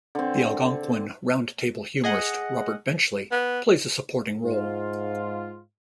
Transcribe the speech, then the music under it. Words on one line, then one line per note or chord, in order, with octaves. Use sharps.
The Algonquin Round Table humorist Robert Benchley plays a supporting role.
D3 C4
G#4 D#5 F#5
B3
G#2 F4